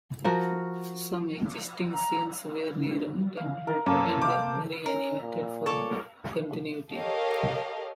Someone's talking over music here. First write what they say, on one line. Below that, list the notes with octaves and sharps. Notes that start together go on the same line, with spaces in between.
Some existing scenes were rewritten and reanimated for continuity.
F3 F#4 A#4
A#5
F5
A#4
F#2 A#3 A4
C5 F5 D6
C#4 A#4
A#2
A4 C#5 D6
G4 A4 A#4 C#5 D#5 F5